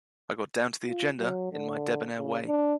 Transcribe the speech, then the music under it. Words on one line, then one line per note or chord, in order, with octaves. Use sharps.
I got down to the agenda in my debonair way.
F4
F#3
D3
C#3
D4